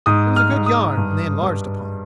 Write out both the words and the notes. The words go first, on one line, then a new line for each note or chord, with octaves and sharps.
It was a good yarn, and they enlarged upon it.
G#2 D#6
F6
G#2
D#6
G2
G2